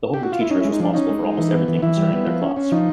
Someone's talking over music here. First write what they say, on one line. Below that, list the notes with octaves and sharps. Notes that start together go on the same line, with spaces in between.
The homeroom teacher is responsible for almost everything concerning their class.
G4
F#4
F4
E4
C#4 D#4
E4
G#3
D#4
F3 D4
C#4 D#4
G#3
G#3
E3
B3
E3
E3 E4
G3
B3
F3
C#4
C#4
F3 D#4